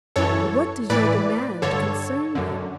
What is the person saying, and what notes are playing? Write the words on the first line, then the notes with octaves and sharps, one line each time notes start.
What does your demand concern him?
F#2 E3 A4 C#5
A2 E3 B4 D5
G2 D3 A4 C#5
F#2 D3